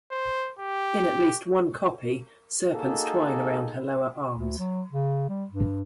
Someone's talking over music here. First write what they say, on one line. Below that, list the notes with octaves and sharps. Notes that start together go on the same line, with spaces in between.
In at least one copy, serpents twine around her lower arms.
C5
G4
A#3 D#4 F#4 G#4 A4
D2
F#3
C#3
G3
G2